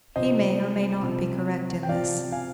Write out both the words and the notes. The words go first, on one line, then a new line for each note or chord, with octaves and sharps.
He may, or may not, be correct in this.
C3 F3 C5 D#5
C3 F3
G5
C3 F3 D5 F5
F5 G#5